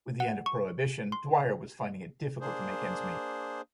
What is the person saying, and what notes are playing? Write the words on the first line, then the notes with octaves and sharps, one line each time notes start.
With the end of Prohibition, Dwyer was finding it difficult to make ends meet.
F#5
C#6
C6
A#3 D4 G#4 C5